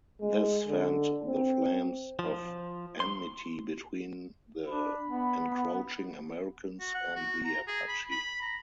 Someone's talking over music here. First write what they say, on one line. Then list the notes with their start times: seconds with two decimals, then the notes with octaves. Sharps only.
This fanned the flames of enmity between the encroaching Americans and the Apache.
0.21 G#3
0.68 D3
1.28 C4
2.19 F3
3.00 C6
4.68 D4 B5
5.07 B3
6.80 F#4
6.94 F#5
7.16 F#4
7.44 A#5
7.68 G#4
7.88 B5
8.11 B5
8.42 A#5